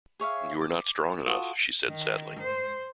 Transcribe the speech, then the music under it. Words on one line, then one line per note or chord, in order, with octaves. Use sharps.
"You are not strong enough," she said sadly.
G#4 C#5 E5 F5
D6
F4 F#4 A4 D#6
D#3
C5